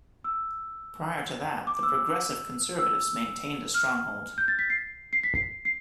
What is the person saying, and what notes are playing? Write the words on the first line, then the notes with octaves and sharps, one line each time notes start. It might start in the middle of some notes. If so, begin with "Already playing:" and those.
Prior to that, the Progressive Conservatives maintained a stronghold.
E6
D6
E6
E6
F6
G6
A6
B6
C7
C7
B6
C7
C7